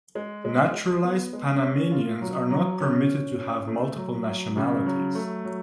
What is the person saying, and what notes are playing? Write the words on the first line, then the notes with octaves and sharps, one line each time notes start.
Naturalized Panamanians are not permitted to have multiple nationalities.
G#3
G#3
G#3
B3
G#3
C#4
F4
F#3
F#3
C#4
C#4
C#4
A3
F#3
F#3
C#3
F#3
A3
F#3